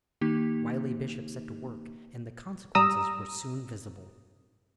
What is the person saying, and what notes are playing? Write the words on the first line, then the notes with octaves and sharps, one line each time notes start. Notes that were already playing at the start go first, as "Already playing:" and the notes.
The wily bishop set to work, and the consequences were soon visible.
D#3 A#3 D#4 G4 B6
G3 A#5 D#6 E6